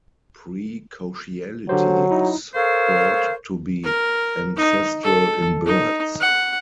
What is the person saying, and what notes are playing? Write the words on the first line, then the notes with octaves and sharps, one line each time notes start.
Precociality is thought to be ancestral in birds.
D3 F#3 G4 C5
D#4 E4
A4 A#4 C5 C#5 F5
A#4
D#4
A4
D#4
F#5